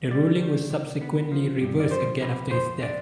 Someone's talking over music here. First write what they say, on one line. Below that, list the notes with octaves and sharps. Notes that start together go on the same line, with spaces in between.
The ruling was subsequently reversed again after his death.
G3 D5
D#3
C3
B3
F3
G2
D5
F3 C5
C3 B4
F2 C5
D4 D5